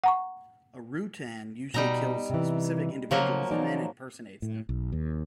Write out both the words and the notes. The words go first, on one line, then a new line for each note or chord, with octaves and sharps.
A Rutan usually kills specific individuals and then impersonates them.
F#5 A#5 C#6
B2 G3 D#4 A#5
C3 E3
C#3 F3 F#3 A#3 F5
E3 D#4 D5
A2
B1
D#2